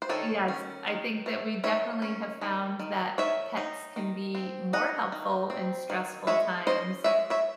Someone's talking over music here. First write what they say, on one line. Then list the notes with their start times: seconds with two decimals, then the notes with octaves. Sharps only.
yes, I think that we definitely have found that pets can be more helpful in stressful times
0.02 C5
0.09 D#3 A4 C#5
0.48 C#4
0.87 D#3
1.26 A3
1.64 D#3 C#5 E5
2.02 C#4
2.41 D#3
2.80 D#3
3.18 D#3 C#5 E5
3.57 D#4
3.96 D#3
4.35 C4
4.73 D#4 D#5 F#5
5.12 D#3
5.50 C4
5.90 D#3
6.27 G#3 C#5 E5
6.66 C#4 C5 D#5
7.04 G#3 C#5 E5
7.30 C#5 E5